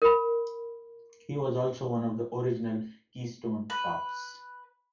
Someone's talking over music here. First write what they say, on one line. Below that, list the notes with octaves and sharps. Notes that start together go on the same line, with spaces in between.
He was also one of the original Keystone Kops.
A#4 B5
B4